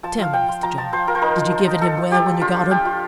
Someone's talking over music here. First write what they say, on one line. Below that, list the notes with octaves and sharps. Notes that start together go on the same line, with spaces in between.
Tell me, Mr. John, did you give it him well when you got him?
F3 A5
F3 F5
F3 G5
F4
F3 A#5
F3 A5
F3 C5
F3 A#4
C5
D#4 A#4
F3
F3
D#4
F3 A4
F3
F3 G4
F3
D4 F4
F3
F3 G4
F4